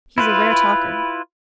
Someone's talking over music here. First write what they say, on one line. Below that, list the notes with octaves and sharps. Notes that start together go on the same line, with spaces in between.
He's a rare talker.
E4 F4 B4